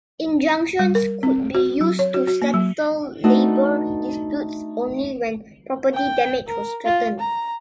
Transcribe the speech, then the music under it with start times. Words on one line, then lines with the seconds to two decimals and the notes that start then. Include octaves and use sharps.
Injunctions could be used to settle labor disputes only when property damage was threatened.
0.79 G3
0.95 A#4
1.23 C4
1.55 F#4
1.81 F#3
1.99 C#5
2.14 F#4
2.27 F#4
2.42 A#3
2.54 F#3
3.24 A3 B3 D4 D#4 F#4
5.94 G5
6.47 A#4
6.86 F4
7.19 A#5